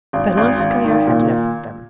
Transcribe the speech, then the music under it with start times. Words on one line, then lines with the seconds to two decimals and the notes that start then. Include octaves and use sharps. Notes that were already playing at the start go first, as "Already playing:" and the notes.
Peronskaya had left them.
0.13 G#1
0.37 G#1
0.60 G#1
0.84 D#3
1.07 A#2